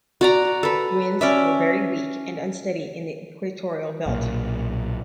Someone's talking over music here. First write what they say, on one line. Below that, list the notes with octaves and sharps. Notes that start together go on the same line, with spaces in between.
Winds were very weak and unsteady in the equatorial belt.
F#4 D5 A#5
A4 B4
C#4 D5 E5
B1 A#2 C#3 A#3